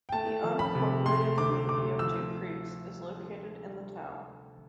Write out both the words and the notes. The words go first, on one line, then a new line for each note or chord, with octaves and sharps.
The unincorporated community of Two Creeks is located in the town.
G5
A3 A5
F3
B5
C3
A3 C6
D2 D6
A3 D6
F3 E6